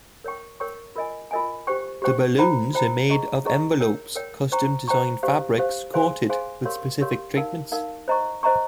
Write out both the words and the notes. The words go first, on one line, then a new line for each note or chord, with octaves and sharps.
The balloons are made of envelopes custom designed fabrics coated with specific treatments.
A#4 C#5 G5 C#6
A#4 C#5 G5 C#6
F4 A#4 D#5 G#5
F4 A#4 D#5 G#5
G4 C5 G5 C#6
G4 C5 G5 C#6
F4 C5 G5 A#5
F4 C5 G5 A#5
C#4 G#4 D#5 A#5 C#6
C#4 G#4 D#5 A#5 C#6
A#4 C#5 G5
A#4 C#5 G5
C5 G5 A#5 C#6
C5 G5 A#5 C#6
G4 C5 F5
G4 C5 F5
G#4 C5 F5 G#5 C6
G#4 C5 F5 G#5 C6
G4 A#4 C#5 F5 C6
G4 A#4 C#5 F5 C6
D#4 A#4 F5
D#4 A#4 F5
C5 D#5 A#5 C#6
C5 D#5 A#5 C#6